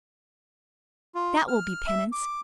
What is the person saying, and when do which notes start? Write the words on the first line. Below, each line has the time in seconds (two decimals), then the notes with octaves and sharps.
THAT will be penance.
1.15 F4
1.48 F6
1.87 E5
2.12 D6